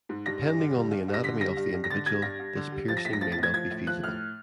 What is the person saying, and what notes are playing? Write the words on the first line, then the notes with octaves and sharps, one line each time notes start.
Depending on the anatomy of the individual, this piercing may not be feasible.
G#2
G2 A#6
G2
D3
G3
G2
G2
A#6
D3 B6
G3 A#6
G2
G2
A#6
D3 A6
G3 G#6
G2 A#6
G2
D3
G3
F3 A6
A#6
A2 B6
A#6
F3 A6
A6
A2 G#6
F3 G#6
A2
F3 F#6
A2 F6